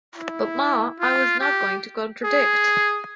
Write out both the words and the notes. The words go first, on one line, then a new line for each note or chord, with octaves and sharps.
But Ma, I was not going to contradict.
E4
F4
G4
G#4